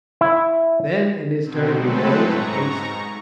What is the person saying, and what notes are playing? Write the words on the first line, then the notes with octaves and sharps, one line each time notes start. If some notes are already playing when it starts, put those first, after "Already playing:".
Then in his turn he rose, and hastily.
E4
B2 D3 D#3 C4
F#3 G#3 A3 C4 A4 B4
G#2 A#5 C#6